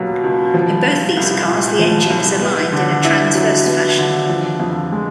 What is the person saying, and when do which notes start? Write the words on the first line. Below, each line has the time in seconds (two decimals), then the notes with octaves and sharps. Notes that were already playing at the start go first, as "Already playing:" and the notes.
In both these cars the engine is aligned in a transverse fashion.
Already playing: C#2 B2 F#3 A#3
0.23 C#2
0.54 F3
0.86 C2
1.17 C2
1.48 A#2
1.79 F3
2.10 C2
2.41 B3
2.73 D3
3.05 E4
3.35 F#3
3.66 B3
3.98 D3
4.29 F3
4.60 F2
4.92 G#3